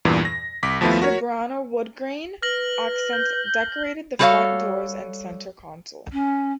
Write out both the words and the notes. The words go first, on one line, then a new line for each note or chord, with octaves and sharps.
Zebrano woodgrain accents decorated the front doors and center console.
E2 G2 A#2 E3
A#6
C2 D6 B6
D#2 F3 A3 B3 E4 F4
F#4 A#4 C#5
B4 F6 A#6 F#7
G6
G3 F#4 A4 B4 C#5 F5
C#4